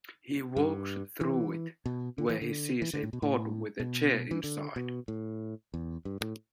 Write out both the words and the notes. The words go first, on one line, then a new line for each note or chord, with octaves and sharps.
He walks through it, where he sees a pod with a chair inside.
G2
E3
B2
D3
E3
D3
E3
D3
A2
B2
A2
B2
E3
D3
B2
A2
E2
G2
A2